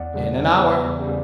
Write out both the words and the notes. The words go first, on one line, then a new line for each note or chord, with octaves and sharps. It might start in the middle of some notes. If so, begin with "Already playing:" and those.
"In an hour."
Already playing: E2 D5 F#5
C#3 G3
E2
C#3 G3